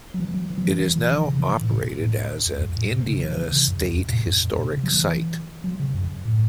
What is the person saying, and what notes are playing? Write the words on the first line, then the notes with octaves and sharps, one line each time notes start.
It is now operated as an Indiana State Historic Site.
F#3
E3
F#3
E3
F#3
E3
E3
E3
E3
C#3
C#3
E3
A2
B2
A2
E2
F#2
A2
B2
C#3
E3
E3
C#3
F#2
E2
F#2
B2
A2
F#2
F#2
B2
C#3
F#3
E3
F#3
C#3
F#2
A2